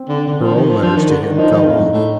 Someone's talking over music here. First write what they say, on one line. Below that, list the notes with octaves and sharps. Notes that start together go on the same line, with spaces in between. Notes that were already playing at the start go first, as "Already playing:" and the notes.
Her own letters to him fell off.
Already playing: C4
D3
D3
F3
D#3
F3
F3 D4
D#3
D3
D#3
F3 D#4
D#3
F2
A2
A2